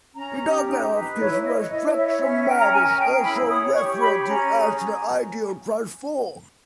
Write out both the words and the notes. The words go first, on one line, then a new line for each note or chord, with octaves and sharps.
The target of this restriction map is also referred to as the ideal transform.
C#4 A#5
G4
D#4
B4
E4 C#5
C#5 D#5
E4 D#5
C#5 E5
C#4 E5
E5
A#4 G5
A#5
C#4 G#5
G#4 G5
E4 B5
C#5 D#6
G4 C#6
C#5 B5
C#4 A#5
G#4